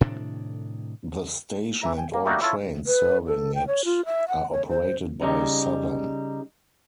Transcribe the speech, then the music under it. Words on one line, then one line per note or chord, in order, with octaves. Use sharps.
The station and all trains serving it are operated by Southern.
A2 C3 D#3 D4
E3 E5 A#5
G5 G#5
A#3
G3 A3 A#3 D4 D#4 F#4
E4 F4 A4 C#5
B4
A4
G5
C#5
F4
E5
F#5
C#5
C5
C#3 G3 D#4